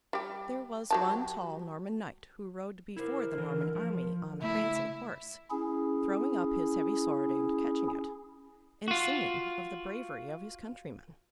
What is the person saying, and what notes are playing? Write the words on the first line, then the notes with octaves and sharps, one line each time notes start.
There was one tall Norman Knight who rode before the Norman army on a prancing horse, throwing up his heavy sword and catching it, and singing of the bravery of his countrymen.
G3 G4
F#3 G4 A5
E4 A#4 C5
D3 E3
F3
C#3 A3 E4
C#4 E4 G#4
F4 F#4